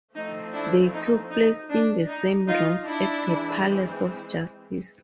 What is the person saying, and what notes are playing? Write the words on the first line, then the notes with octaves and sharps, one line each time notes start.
They took place in the same rooms at the Palace of Justice.
F3 A3 C4 D#4
D4 E4
D#4
D#4
D4
D#4
D#4 F4
D4 E4
E3 G#3 C4